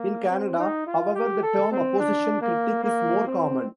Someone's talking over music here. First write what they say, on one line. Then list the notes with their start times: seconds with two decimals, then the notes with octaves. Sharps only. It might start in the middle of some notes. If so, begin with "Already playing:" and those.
In Canada, however, the term Opposition Critic is more common.
Already playing: A#3
0.30 C4
0.58 D#4
0.87 F4
1.15 G4
1.43 A4
1.72 C4
1.99 D4
2.41 A#3
2.84 A#3
3.27 C4